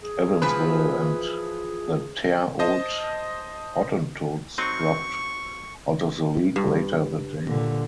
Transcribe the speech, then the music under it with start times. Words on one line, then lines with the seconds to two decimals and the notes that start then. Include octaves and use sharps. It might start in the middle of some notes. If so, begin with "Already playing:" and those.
Evansville and the Terre Haute Hottentots dropped out of the league later that day.
0.02 G#4
0.42 E3 F3 B4
2.59 C5 D#5 A5 D#6
4.58 F#3 C4 D#4 C#6
6.56 G2
7.47 A#2 D3